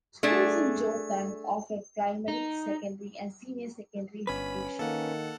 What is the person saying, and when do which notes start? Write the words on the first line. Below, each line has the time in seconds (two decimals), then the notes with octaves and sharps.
Schools in Jorethang offer primary, secondary and senior secondary education.
0.23 A3 D4 G#4
2.28 D#4
4.27 G1 C#4 B4 B5 B6
4.79 D#3 A#3 A4 F#5